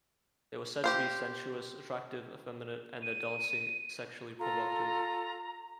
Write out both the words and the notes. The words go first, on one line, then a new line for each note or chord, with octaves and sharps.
They were said to be "sensuous, attractive, effeminate", and their dancing "sexually provocative".
G4 C5 F5
D#7
F4 A4 A#5